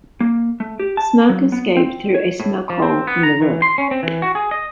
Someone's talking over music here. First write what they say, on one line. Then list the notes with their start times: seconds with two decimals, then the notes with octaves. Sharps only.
Smoke escaped through a smoke hole in the roof.
0.20 A#3
0.60 A3
0.79 G4
0.97 A5
1.29 F#3
1.52 B3
1.77 C4
2.14 C#5
2.40 A2
2.70 F3
2.82 C4
3.07 B3
3.23 A#5
3.42 E3
3.62 C6
3.78 C#4
3.91 C4
4.03 E3
4.22 F#4
4.35 G#4
4.51 D#5